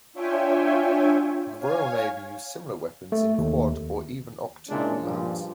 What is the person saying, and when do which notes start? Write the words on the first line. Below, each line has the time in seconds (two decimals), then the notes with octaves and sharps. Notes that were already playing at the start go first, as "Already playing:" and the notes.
The Royal Navy used similar weapons in quad or even octuple mounts.
0.13 D4 F4 C#5 E5 G5 G#5
1.57 C#5 F5 G#5 G#6
3.12 A3
3.38 D#2
4.68 A#2 G#3 C#4 D4 E4
5.02 G2 A#2 F3